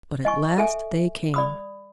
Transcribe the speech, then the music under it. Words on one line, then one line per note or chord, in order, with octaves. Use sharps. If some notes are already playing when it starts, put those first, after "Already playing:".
But at last they came.
D#5 G#5 C#6
A4 E5 G#5
D5 B5 D#6